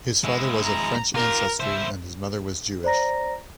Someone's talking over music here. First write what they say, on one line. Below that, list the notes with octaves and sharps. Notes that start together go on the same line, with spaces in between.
His father was of French ancestry and his mother was Jewish.
G#3 E4
A#5
F4 G4 A#4
E4 C5 E5
C5 D5 A#5 A#6